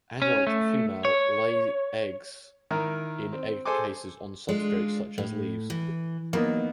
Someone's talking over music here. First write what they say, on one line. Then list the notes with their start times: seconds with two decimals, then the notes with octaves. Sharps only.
Adult female lay eggs in egg cases on substrate such as leaves.
0.22 C#4
0.47 A3
1.05 C#5
2.71 D#3 E4 A#4
3.33 C4
3.65 G#4 A4 C5 G#5 C6 D6
4.48 G#3 D4 F4
5.18 A2
5.70 E3
6.33 F#3 A#3 B3 D#4